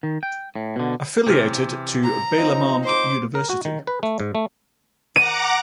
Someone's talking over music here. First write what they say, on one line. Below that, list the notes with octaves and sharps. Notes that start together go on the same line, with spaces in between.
Affiliated to Balamand University.
D#3
G5
A2
B2 D3
C3 E3 F6
A#5
F3 C4 D#4
C5 D6
A#4
F#4
D#3
B4
A3
G#2
A3
F#5 A#5 D6 D#7